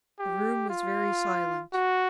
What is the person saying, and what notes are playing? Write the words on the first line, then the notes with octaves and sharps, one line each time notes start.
The room was very silent.
G4
F4
F#4